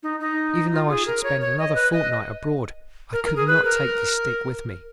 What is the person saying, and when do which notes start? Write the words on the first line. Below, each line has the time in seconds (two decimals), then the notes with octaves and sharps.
Even though I should spend another fortnight abroad I could not take this stick with me.
0.03 D#4
0.20 D#4
0.72 F4
0.90 G#4
1.07 A#4
1.24 C#5
1.41 C#5
1.59 D#5
1.75 B4
1.92 D#5
3.13 A#4
3.24 A#4
3.36 G#4
3.48 B4
3.65 A#4